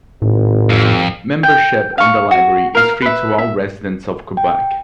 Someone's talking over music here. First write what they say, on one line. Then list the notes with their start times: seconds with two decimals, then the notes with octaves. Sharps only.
Membership in the library is free to all residents of Quebec.
0.22 G#1 A2
0.70 F2
1.43 G5
1.98 F5 C#6
2.31 F#4
2.75 A#4 F5
3.02 B4 E5
3.38 E5
4.37 G5